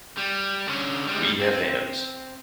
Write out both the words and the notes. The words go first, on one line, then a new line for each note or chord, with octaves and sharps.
We have hands.
G3
D3 C#4
G3 G#3
C4